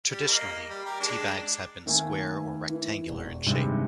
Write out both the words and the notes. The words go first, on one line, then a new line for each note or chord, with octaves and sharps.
Traditionally, tea bags have been square or rectangular in shape.
G3
A#3 D#5
G3
G4 A#4
G#3 D4
D#3 A3 A#3 G#5
E3
E1 G#4
G2 C3 D#3 G3 G#3